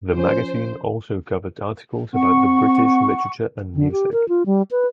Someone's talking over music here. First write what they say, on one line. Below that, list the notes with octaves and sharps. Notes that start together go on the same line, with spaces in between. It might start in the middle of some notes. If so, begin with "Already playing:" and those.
The magazine also covered articles about the British literature and music.
F3 C#4 C5
C4 F#5 C#6
D3
G4
A#4
F4
G3
B4